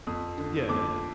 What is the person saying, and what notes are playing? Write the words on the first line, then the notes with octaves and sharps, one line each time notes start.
Yeah, yeah, yeah.
F2 D#6
D3
F2 D6